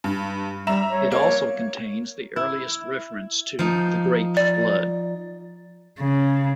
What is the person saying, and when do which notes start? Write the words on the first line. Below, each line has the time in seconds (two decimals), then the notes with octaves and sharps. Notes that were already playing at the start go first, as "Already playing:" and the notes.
It also contains the earliest reference to The Great Flood.
0.04 G2
0.67 G3 E5 A#5 E7
0.89 C#5
1.12 A#3 C#5
2.36 E4
3.59 F3 D#4
4.37 D5
5.99 C#3